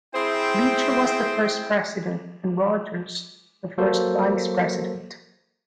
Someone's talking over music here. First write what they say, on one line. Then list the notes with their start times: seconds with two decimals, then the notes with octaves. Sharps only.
Beecher was the first president and Rogers the first vice-president.
0.14 C4 E4 G#4 C5 G5
3.78 F#3 A#3 F#4 A4 A#4 C5